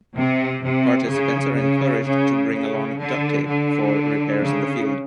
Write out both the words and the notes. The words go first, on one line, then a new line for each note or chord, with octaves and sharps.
Participants are encouraged to bring along duct tape for "repairs in the field".
C3
C3
C#3
C#3
C#3
C#3
D3
D3
C#3